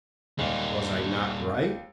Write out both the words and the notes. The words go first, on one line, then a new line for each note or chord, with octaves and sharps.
Was I not right?
D#2 A#2 G3 G#3